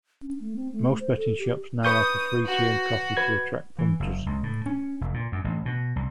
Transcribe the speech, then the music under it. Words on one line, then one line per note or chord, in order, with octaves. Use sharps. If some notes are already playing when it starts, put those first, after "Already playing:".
Most betting shops now offer free tea and coffee to attract punters.
C#4
A3
C4
A3
A3
C5
A4
G4
B4 C#6 D#6 G6
F#4
B4 G#6
E3
F#1
C#2
A2
C#4
F1
A#2
F#2
A1
B2
C2